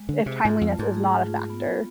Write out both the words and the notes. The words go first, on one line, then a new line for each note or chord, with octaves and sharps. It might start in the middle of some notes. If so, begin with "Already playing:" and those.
if timeliness is not a factor
Already playing: G#3
D3
G#4
C3
G#2 F4
F2
A3
G#2
G#4
F4
B3